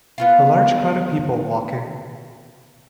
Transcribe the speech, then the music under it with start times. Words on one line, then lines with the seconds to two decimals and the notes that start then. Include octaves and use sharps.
A large crowd of people walking.
0.18 B3 F4 F5